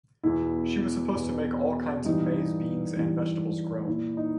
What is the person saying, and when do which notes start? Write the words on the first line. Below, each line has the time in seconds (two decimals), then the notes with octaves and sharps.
She was supposed to make all kinds of maize, beans, and vegetables grow.
0.23 E2 B2 E4
1.15 E2 B2
2.05 G2 E3 D#4
2.97 G2 E3
3.87 A#2 E4
4.17 D#4